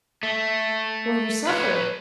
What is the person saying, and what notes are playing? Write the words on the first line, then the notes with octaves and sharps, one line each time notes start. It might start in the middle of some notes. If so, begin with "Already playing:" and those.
"Will you suffer?"
A3
B4 C#5